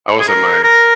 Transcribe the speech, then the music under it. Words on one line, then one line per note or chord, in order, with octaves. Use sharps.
I was at my
G#4
A#4
A#4